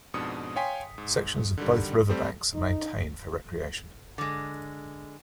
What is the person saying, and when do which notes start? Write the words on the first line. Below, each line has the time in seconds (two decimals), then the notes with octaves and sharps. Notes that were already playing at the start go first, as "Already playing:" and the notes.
Sections of both river banks are maintained for recreation.
0.14 F2 G#2 B2 D4 D#6 C#7
0.56 C#5 F5 G5 G#5 C6 B6
0.98 G#2
1.58 D3 D#3 G3
2.09 G3 A3 C4
2.55 D#4
4.18 D3 G#3